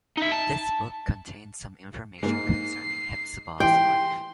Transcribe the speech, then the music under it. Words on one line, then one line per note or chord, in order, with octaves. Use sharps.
This book contains some information concerning Hephzibah's life.
D#4 E5
A5
G#2 A#3 C7
E3 G4 G5 C6